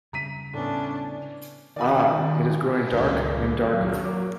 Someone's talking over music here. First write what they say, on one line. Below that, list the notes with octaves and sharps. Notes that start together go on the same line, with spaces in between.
Ah, it is growing dark and darker.
C#3 G3 C4 A#5 B6 D#7
A2 B3 C#4 D4
D#3 D5 G#5 B5
D#1 C#2 G2 A#3
F#3
A#3 D6